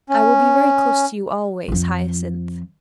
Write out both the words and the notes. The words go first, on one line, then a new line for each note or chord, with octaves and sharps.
"I will be very close to you always, Hyacinth."
C#4
F2 F3